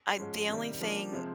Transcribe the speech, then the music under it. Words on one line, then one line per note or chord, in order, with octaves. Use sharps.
I the only thing,
G#2 F3 G#3 C#4
C3 D#3 G3
C#3 F3 A#3 D4
C3 F3 G#3 C4